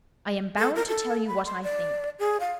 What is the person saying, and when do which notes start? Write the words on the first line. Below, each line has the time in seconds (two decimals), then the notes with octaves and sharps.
I am bound to tell you what I think.
0.58 A4
0.76 A#4
0.88 A4
1.27 B5
1.45 C6
1.63 D5
2.19 G#4
2.40 F5